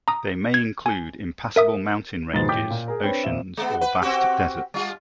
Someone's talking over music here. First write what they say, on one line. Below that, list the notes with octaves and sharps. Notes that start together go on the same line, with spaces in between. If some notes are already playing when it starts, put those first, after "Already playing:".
They may include impassable mountain ranges, oceans, or vast deserts.
A#5 D#6
G#6
G#5
A#4 E5 D#6
G#2 B2 D#3 F3 B4 A6
A2 G5 D6 G6 B6
A#2
G#4 A#4
C4 D4 B4 C#5 G5
F2 A#2 C4 E5 E7
G#3 B3
B4
C4 F#4 G4
G3 F4